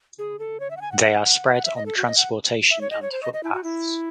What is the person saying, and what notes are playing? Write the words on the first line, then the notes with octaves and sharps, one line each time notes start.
They are spread on transportation and footpaths.
G#4
A4
C#5
E5
F#5
G#5
F#5
F#5
E5
F#5
E5
D#5
A4
F#4
D#5
F#5
E5
C#5
D#5
C#5
C5
D#5
D#5
E4
F#4
E4